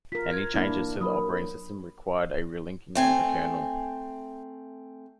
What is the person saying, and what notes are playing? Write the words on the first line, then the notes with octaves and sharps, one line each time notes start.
Any change to the operating system required a re-linking of the kernel.
F4 A#4 B6
G#6
A#3 D4 E4
F#3 A#4 B5 D#6
A3 C4 G#5